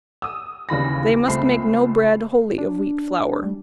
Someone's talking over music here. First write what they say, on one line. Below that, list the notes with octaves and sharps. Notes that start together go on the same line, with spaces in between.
They must make no bread wholly of wheat flour.
D#6 E6
D#2 C#3 E3 B5 A#6
C#2 A3 C4 B5 C7
D4
G3